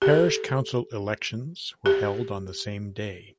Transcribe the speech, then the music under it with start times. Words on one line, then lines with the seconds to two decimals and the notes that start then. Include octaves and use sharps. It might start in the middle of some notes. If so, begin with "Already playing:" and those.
Parish council elections were held on the same day.
0.02 G4
0.10 A4
1.86 G4